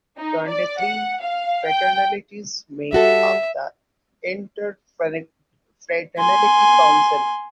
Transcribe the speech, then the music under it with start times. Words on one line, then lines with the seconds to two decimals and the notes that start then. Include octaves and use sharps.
Twenty-three fraternities make up the Interfraternity Council.
0.18 D#4
0.49 D5
0.80 F#5
1.22 F5
1.67 G5
2.93 G3 F#4 A4 E5
6.19 G#5 C6